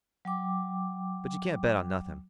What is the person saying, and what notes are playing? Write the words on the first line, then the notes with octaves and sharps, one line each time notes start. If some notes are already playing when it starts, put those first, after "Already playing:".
But you can't bet on nothing.
F#3 G5 D6